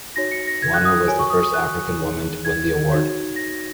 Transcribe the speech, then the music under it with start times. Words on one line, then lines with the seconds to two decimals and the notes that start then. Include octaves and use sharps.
Wanner was the first African woman to win the award.
0.16 D#4 F#4 C#5 A#6
0.31 C#7
0.47 A#6
0.62 G#6
0.74 F#6
0.85 D#6
1.08 F#4 A#4 C#5 G#5
1.19 C#6
1.30 D#6
1.42 D#6
1.54 F#6
1.99 D#4 G#4 C#5
2.45 G#6
2.90 D#4 F#4 C#5
3.36 A#6